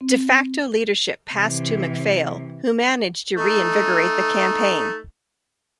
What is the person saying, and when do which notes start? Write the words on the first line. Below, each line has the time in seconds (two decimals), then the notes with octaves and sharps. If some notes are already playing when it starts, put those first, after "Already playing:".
De facto leadership passed to MacPhail, who managed to reinvigorate the campaign.
0.01 C4
1.35 C3 E3
3.37 A3 D#4